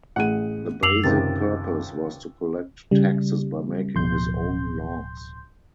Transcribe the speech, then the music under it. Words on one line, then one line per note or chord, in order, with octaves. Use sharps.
The basic purpose was to collect taxes by making his own laws.
A1 G#4 F#5 D#7
F#2 D6 E6 C7 F7 F#7
C#2 C3 D#3 A6
C#3 G3
D1 B2 F3 C6 G6